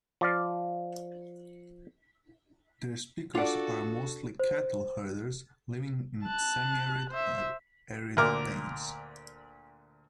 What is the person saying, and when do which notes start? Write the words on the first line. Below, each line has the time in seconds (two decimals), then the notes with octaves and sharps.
Their speakers are mostly cattle herders living in semi-arid or arid plains.
0.21 F3 D5 F5
3.35 D4 F4 F#4 A4 D5 F#5
4.40 C5
6.24 A5 F#6
7.10 C5 E5
8.17 D2 A#2 A#4 D6 F6